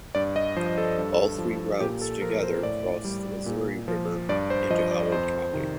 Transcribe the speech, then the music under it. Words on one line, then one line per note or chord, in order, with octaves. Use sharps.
All three routes together cross the Missouri River into Howard County.
G2 D5
D#5
F3 C5
A4
G2
F3
A#2 G4
A4
F3 A#4
C5
A2 D5
G3
A#2
F3
G2 D5
C5
F3 D#5
D5
F2 C5
C3 D#3